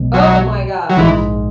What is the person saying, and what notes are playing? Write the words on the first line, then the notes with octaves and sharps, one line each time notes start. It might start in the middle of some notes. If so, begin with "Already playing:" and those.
Oh my gosh.
Already playing: B1 B2 G#3
F#3
F#3
A#1 G#2 D#3 E3 G#3